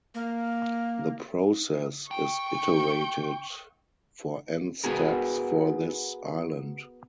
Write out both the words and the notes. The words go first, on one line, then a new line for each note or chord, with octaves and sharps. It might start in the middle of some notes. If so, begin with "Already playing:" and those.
The process is iterated for n steps for this island.
A#3
G5 C#6
B3 F#4 G#4 A#4